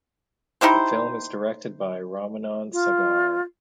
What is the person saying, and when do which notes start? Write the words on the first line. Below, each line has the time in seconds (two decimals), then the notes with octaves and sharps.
The film is directed by Ramanand Sagar.
0.61 D#4 E4 G4 C5
2.73 F4